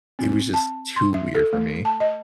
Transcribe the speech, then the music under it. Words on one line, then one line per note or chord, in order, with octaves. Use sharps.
it was just too weird for me.
C4
A5
C6
E5
A4
A3
A5
D#5